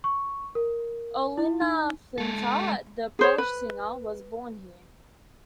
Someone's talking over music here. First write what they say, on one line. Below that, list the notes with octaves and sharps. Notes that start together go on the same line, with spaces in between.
Ewelina Flinta the Polish singer was born here.
C#6
A#4
E4
D#4
G#3 A4
G#4 C5 C#5
B4